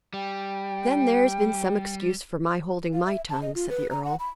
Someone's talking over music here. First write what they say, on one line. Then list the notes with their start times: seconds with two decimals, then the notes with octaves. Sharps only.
"Then there's been some excuse for my holding my tongue," said the earl.
0.14 G3 G5
2.93 F5
3.06 E5
3.30 A5
3.42 D#5
3.55 F4
3.70 B4
3.91 A#5
4.05 F#5
4.19 B5